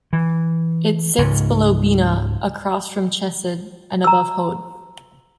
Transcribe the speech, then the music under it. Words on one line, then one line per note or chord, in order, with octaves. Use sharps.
It sits below Binah, across from Chesed, and above Hod.
E3
C#2 G#2 C#3
A#5 E6